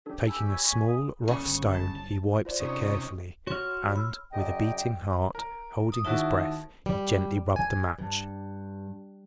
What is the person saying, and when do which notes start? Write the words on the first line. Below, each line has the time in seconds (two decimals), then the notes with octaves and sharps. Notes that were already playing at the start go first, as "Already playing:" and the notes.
Taking a small, rough stone, he wiped it carefully, and with a beating heart, holding his breath, he gently rubbed the match.
0.06 D4 G4 A4
0.27 G4 G#5 A5 B5 E6
0.45 C#5
0.61 C#5 D#5 B5
0.88 D#6
1.28 G1 C#3 C#6
1.73 A5
2.45 F4 C5 D5
2.60 C3 C#4 D#4
3.47 F#4 C#5 C6 F6
3.95 B5 E6 F6
4.32 F#2 C#3 D5 D#5 G5
5.35 A#4
5.92 D#6
6.05 D#2 D#4 E4 F#4 E5 A5
6.86 G3
7.56 G#5
7.99 G2